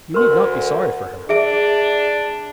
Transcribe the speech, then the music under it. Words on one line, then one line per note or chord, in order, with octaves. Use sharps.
You need not be sorry for her.
D2 A#4 B4 C6
D4 G#4 E5 D7